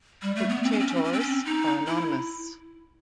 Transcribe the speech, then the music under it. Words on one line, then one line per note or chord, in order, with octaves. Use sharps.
The "ktetor"s are anonymous.
G3
A3
B3
C4
C#4
C4
C#4
C4
C#4
C4
C#4
C4
D#4
E4